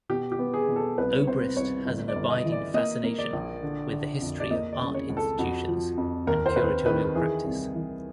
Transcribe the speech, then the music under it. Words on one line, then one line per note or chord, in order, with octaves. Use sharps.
Obrist has an abiding fascination with the history of art institutions and curatorial practice.
B2 G4
G4
B3
G#4
B2
A4
C2 B4
C#5
C3 C5
C2 C#5
G1
D5
G1
D#5
E3
D5
A#3 D#5
A#3
D5
A#1
D3
D3
F2
D5
A#3 D#5
D5
C#3
C#5
C#2
A4
F2 F#4
F3
F2
D#2 A#4
C5
D#2 B4
D#3 B4
E3 G#4
C2
E3